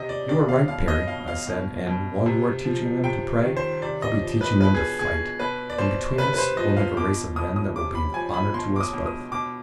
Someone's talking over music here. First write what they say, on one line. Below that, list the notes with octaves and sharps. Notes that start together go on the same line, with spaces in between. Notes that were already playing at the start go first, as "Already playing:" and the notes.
"You are right, Perry," I said, "and while you are teaching them to pray I'll be teaching them to fight, and between us we'll make a race of men that will be an honor to us both."
Already playing: C3 D#5
D5
D#3 D5
F5
B2 F5
D#5
B2 F5
F5
B2
B2
C3
F3
C3 G5
D#3
C5
C3 D5
D#5
F3
B4
B2 B4
G#4
B2 G#4
B2 B4
D5
B2 C5
C3 B4
B4
C5
F3 D#5
F5
B2 D6
B2 D#6
D#6
C3 D6
B5
F3 G#5
B5
B2 C6
D6
D#6
B2
D#6
B2 D6